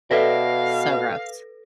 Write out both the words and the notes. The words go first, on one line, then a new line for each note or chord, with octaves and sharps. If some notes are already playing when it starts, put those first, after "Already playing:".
so gross.
B2 A4 B4 D5 E5 F5 A#6